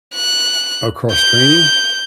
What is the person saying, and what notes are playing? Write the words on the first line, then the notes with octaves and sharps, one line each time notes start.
Oh, cross-training?
F#6
G6